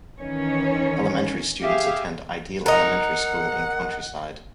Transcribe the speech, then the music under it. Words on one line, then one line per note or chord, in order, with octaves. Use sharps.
Elementary students attend Ideal Elementary School in Countryside.
D#3 E3 C#4 C#5
G4 G#4 E5 F5
D#4 A#4 F#5